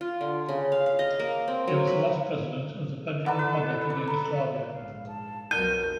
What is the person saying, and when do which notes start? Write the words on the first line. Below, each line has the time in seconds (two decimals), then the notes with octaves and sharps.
He was the last president of the Federal Republic of Yugoslavia.
0.01 F4
0.21 D3
0.49 C#3
0.72 F5
0.86 F5
0.99 D#5
1.20 A#3
1.48 C4
1.68 F#3
1.87 B4
3.26 E4 A4 B4 D5 F#5 A#5
3.39 B4
3.90 B5
4.08 A#5 B5
4.69 A#1 G#2 F5
5.07 A5
5.51 B1 F2 F#3 A#4 G6 D#7